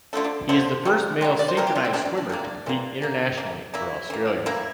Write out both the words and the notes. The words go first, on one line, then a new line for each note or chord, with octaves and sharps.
He is the first male synchronised swimmer to compete internationally for Australia.
D3 F3 A3 E4
D4
D3 F3 A3 C5
C3 G3 A#3
C3 G3 A#3
D5
C5
C3 E3 G3 A#4
G4
F4
C4
C3 E3 G3 D4
D4
D4
C3 E3 A#3 D4
C3 E3 A#3
E3 A#3
E3 A#3
E3 A#3 E4
E3 A#3
E3 A#3 E4